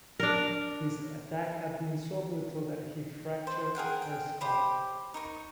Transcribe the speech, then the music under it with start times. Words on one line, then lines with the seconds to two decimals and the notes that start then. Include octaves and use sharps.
His attack had been so brutal that he fractured her skull.
0.20 D4 A#4
3.47 C5
3.75 G#4 A#4 F#5 G5
4.02 G5
4.41 G4 C5 B5
5.14 D#4 A#4 C#6